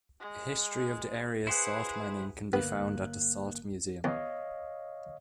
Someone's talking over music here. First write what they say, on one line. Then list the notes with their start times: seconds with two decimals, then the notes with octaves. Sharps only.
A history of the area's salt mining can be found at the Salt Museum.
0.20 G#3
1.47 E4 G#4 B4 C5 F#5
2.53 G1 A#3 B3 F#6
4.04 E2 C#5 D#5 F5